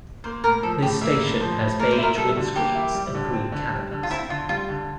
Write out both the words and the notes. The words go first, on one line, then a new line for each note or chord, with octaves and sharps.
This station has beige windscreens and green canopies.
A#3 C5
A2 A#4
F3 A4
A2 G4
A#3 E5
A2
F3 C5
A2
A#3 A#4
C5
E4 A#4
G3 A4
D3
A#3 G4
E4
G3
D3
C4
D3
G3
D3
F4
C4 E4
D3 F4
G3 F4
D3